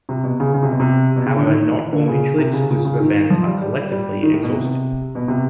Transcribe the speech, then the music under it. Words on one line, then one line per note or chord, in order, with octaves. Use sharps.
However, not all mutually exclusive events are collectively exhaustive.
C3
B2
C#3
C#3
C3
B2
C3
B2
C#3
D3
D#3
E3
D3
C#3
C3
C#3
C#3
C#3
D#3
F3
G3
G3
G3
D#3
A2
B2
C3
B2
C3